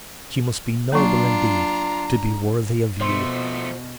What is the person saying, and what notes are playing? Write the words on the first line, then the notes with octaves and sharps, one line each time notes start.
She must be noble, indeed, to be worthy of you.'
F#3 A#3 D4 F4 A#5
B2 F3 A3 C5